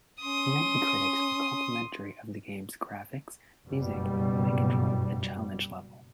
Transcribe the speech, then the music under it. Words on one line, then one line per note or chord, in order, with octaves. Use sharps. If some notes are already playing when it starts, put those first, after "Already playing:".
Many critics were complimentary of the game's graphics, music, play control, and challenge level.
C#4 C6 D#6
F#1 G2 B2 G3